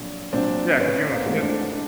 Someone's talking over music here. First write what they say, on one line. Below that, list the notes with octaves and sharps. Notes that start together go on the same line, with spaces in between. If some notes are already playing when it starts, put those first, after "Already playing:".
Yeah, 'cause you're on a schedule.
Already playing: A#1 A#2 F#3
A#2 F#3 C4 D4
A1 B3 C#4
A#3 C4
G#2 E3 A3
C4 D4
D4